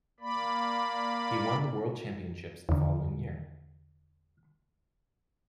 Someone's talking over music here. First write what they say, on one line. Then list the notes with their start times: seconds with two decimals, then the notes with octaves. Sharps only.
He won the World Championships the following year.
0.20 A#3 D5 B5
2.69 E2 D3